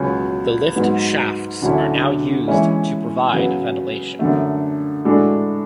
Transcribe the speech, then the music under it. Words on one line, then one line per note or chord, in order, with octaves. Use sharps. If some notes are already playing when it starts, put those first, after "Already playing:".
The lift shafts are now used to provide ventilation.
Already playing: C#2 B2 F#3 C#4
G#2 F#3 B3
D2 D3 F#3 C#4 E4
E3 G#3 C#4 E4
C#3 F#3 B3
F#2 D3 A3
A2 G#3 D4 F#4 A4